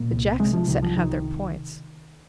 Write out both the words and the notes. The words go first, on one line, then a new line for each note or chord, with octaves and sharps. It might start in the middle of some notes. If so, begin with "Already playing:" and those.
"The Jackson set have their points."
Already playing: A#2 A#3
C2
C3 G#3
F3
C2 D#3
F3
C2 D#3